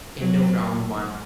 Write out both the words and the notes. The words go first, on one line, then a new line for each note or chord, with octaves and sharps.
End of round one.
F#3